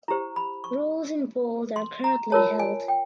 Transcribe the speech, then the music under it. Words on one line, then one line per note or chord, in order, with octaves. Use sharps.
Roles in bold are currently held.
E4 G4 C5 A#5
B5
C#6
C6
A#5
F4 A#4 C#5 A5
G#5
G5